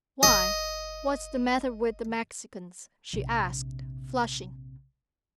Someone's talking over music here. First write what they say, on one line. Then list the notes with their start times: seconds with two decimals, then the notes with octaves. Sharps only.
"Why, what's the matter with the Mexicans?" she asked, flushing.
0.23 G1 D#5
3.13 A#1 C3